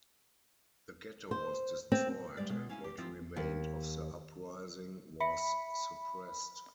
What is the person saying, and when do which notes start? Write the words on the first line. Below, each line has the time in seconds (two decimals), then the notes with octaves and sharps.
The ghetto was destroyed and what remained of the uprising was suppressed.
1.31 C5
1.92 C4
2.37 D2 G3 G#3 B4 D5
2.49 B2 G#3
2.69 C#4 E4 F5 G#5
2.84 G4
2.98 F3 C4 E4 F4
3.36 D#2
5.20 E5 B5 C#7